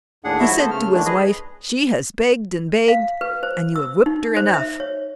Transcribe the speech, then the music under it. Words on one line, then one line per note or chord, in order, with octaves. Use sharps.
He said to his wife she has begged and begged and you have whipped her enough.
D#2 A2 D4 G#4 F#5
G#2 F3 F#3 E4 F#4 E5
B3 A4 C5
C#3 A3 F6
D#3 E3 F#3 G#3 A3 D4
G#4 B4 D#5
F5
B4
C5
E6
D#4
C5
E5
C#5